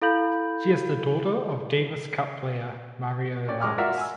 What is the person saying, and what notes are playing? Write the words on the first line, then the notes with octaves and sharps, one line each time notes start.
She is the daughter of Davis Cup player Mario Llamas.
E4 A4 F5 B5 G6 F#7
C#4 D5 G5
G#3 D6 F6
F4 F#4 A#4 D5 E5 F5
G#5 E6